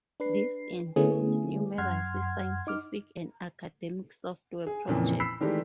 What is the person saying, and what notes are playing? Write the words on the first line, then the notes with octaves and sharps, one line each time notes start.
This includes numerous scientific and academic software projects.
D4 B4 C7
D3 A3 B3 C#4 E4 G#4
F#2 F#5 C6 F6 G#6
D#4 D6 F6
G#4
F2 A#2 C#3 E3 F3
B5 E6 B6 C7
D#3 E3 G#3 A3 G4 D5